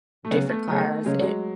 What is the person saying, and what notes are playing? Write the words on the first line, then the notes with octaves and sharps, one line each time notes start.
different cars and
A3
C#3 F#3 B3 C#4 G#4
A3
C#3 F#3 A3 C#4 G#4
C#3 F#3 G#3 C#4 G#4
F#3
G#3